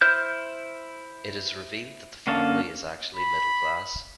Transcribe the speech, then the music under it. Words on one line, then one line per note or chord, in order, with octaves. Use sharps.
It is revealed that the family is actually middle class.
E4 C5 F6 G6
D3 A#3 C#4 F5 A5
B5